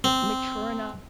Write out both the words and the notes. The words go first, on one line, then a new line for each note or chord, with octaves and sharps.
mature enough
C4